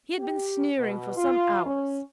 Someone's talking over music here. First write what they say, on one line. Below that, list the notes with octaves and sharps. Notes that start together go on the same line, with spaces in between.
He had been sneering for some hours.
G4
B2
F4
C#4